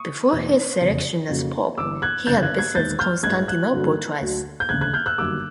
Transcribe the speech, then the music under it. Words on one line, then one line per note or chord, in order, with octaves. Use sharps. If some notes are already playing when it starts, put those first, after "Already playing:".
Before his selection as pope, he had visited Constantinople twice.
Already playing: C#6 D#6
E2 B2 F#3 A#3
F1 E2 C#3
F2 C#3 F#3 A#3 C#4
G1 G2 E3 D6 E6
F#6 G#6
G1 F2 C#3 G6 A6
F#6 G#6
F#6 G#6
E1 D#2 D#3 G#3 G6 A6
F6 G6
A1 G2 E3 G#3 F#6 G#6
F#6 G#6
G2 D3 F#3 A#3
D2 D3 F#3
G6
E1 D2 C#3 F#6 G#6
F#6 G#6
F6 G6
E6 F#6
G1 F#2 D#3 G3 A#3 D6 E6